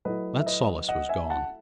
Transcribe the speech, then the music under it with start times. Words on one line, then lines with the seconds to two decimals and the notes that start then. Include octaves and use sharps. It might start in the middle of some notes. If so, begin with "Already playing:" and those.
That solace was gone.
0.05 F#3 A3 E4 B4 D#5
0.39 E5
0.46 B4 D#5
0.88 D#5 F#5
1.09 E5 G#5
1.30 F#5 A5